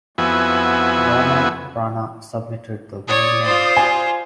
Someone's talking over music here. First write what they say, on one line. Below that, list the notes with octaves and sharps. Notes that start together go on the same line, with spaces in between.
Rommel Rana submitted the winning name.
F2 B3 E4 F#4 G#5
C#5 D5 D#6
F4 C5
G#5